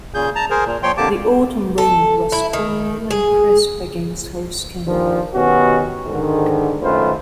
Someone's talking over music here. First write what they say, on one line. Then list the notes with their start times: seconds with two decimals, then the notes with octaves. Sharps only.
The autumn wind was cool and crisp against her skin.
0.14 A#2 C#3 G#4 G6
0.36 A5 A#5
0.50 G#4 A#4 C5
0.66 A#2
0.83 A#2 F3 C#5 G5 C6
0.97 F2 D3 A#3 G4 A5 D6
1.78 A4
2.32 E4
2.53 D#3
3.11 G#4
4.87 G2 A#2 D#3 F3
5.35 B2 D#3 B3 C#4 F#4 G4
6.06 G#2 D3 D#3
6.81 F#2 D#3 A3 F4 B4 C5